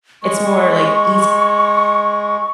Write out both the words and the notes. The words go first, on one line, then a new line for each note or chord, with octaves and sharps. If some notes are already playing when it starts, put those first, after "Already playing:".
it's more, like, easy
G#3 C#6